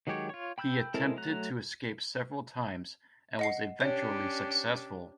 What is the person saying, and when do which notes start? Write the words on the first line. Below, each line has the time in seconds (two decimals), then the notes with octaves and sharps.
He attempted to escape several times, and was eventually successful.
0.07 D#3 F#3 G#3 G4 C#5
0.29 F4 C#5
0.58 G5 B5 E6 F#6 G6
0.94 G#3 C4 E4 A4 A#4
1.17 F#3 A3 A#5 F#6
3.39 D#5 F#5 C7
3.80 C#4 D4 G4 C#5